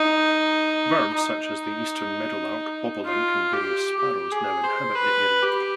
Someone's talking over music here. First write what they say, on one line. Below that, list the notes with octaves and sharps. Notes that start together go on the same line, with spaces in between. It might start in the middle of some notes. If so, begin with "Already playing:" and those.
Birds such as the Eastern meadowlark, bobolink, and various sparrows now inhabit the area.
Already playing: D#4
D#4
F4
G4
G4
G#4
C5
B4
G4